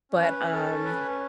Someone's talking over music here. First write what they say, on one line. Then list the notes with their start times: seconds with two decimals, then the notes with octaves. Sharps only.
But, um
0.11 C#4
0.21 B4
0.32 C#4
0.53 A4
0.74 C#4
0.84 B4
0.94 C#4